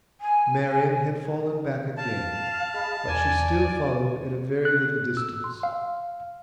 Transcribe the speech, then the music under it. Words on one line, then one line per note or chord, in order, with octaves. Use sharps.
Marian had fallen back again, but she still followed at a very little distance.
G#5
F5 A5
G#4 D#5 B5
E2 D5 G#5
F#6
E6
C6
F5